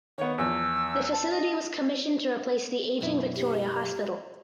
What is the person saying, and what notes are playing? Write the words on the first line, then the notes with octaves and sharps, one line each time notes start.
The facility was commissioned to replace the aging Victoria Hospital.
D#3 B3 C#5
E2 F3 E6
A5
D#5
B1 F#2 E4
G4